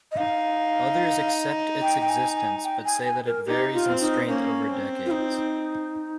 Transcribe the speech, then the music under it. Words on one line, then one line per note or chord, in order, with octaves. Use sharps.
Others accept its existence but say that it varies in strength over decades.
D#5
D#4 F5
G5
G5
G#5
G#5
G5
G#5
G#5
A#4
D#4 G4
F4
C4
D#4
A#3 C#4
C4
F4
D#4